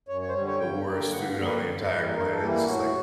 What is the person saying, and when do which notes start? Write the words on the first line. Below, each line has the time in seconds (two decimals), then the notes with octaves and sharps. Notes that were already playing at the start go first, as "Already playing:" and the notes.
the worst food on the entire planet, it's just like,
0.08 F#2 C#5
0.21 C#5
0.29 C5
0.34 G3 C#5
0.38 D3
0.47 C#5
0.60 G2 G5
0.86 D3 G3 A#3
1.11 G2 F#5
1.28 F5
1.37 D3 G3 A#3
1.46 B4
1.62 G2
1.88 E3 G3 A#3
2.14 G2 A#4
2.31 A4
2.39 E3 G3 A#3
2.48 E4
2.65 A2 F#4